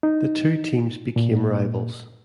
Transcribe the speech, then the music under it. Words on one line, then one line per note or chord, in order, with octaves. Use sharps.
The two teams became rivals.
D#4
A#2